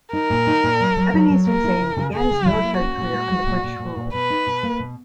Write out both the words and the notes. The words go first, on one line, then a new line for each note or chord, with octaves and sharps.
Ebenezer Zane began his military career under British rule.
D#4 A#4
A#2
D#4
A#2
F#3
F#3
F#3
F#3
A#3 A#4
E4
C#3
C#3
C#3 G#4
C#3
F#3 E4
A#3
C#4 F#4
A#2
G#3
G#3
A#2
A#2
A#2
A#2
B2 B4
D#4
B2
A#3
B2